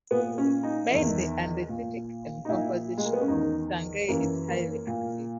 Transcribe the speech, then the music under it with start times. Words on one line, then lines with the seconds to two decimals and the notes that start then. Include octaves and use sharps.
Mainly andesitic in composition, Sangay is highly active.
0.11 A#2 B3
0.38 C#4
0.63 D#4
0.90 E2 D#3 E4
1.69 A#2
2.45 D#4
2.49 A#2 E4
2.98 G#3
3.05 A#3
3.13 B3
3.21 C#4
3.28 E2 D#3 D#4
4.08 F#2 E3 A#3
4.48 A#3
4.87 A#2